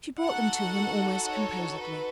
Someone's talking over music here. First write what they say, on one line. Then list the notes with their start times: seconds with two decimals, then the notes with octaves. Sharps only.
She brought them to him almost composedly.
0.23 D#4 F#4 A4 F#5
1.27 C#5
1.79 B4